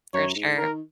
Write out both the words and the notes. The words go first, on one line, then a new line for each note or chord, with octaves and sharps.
for sure.
F#2 C#5
G#2
D#3 A#4